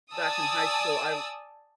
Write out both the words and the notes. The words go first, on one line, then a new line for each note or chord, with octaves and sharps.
back in high school, I
D5 G#5 A5 D#6 E6